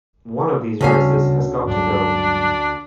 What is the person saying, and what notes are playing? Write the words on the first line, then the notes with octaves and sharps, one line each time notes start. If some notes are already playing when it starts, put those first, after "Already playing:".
One of these races has got to go.
D2 C#3 G3 B3 C#4 F5
G2 F#3 G#3 D4